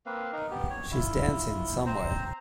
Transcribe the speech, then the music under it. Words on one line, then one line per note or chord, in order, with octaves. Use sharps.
She's dancing somewhere.
A#3 C4 B4 F5
D#4 A#4
B3 G4
C#5
E4 F4
C4 C5 A#5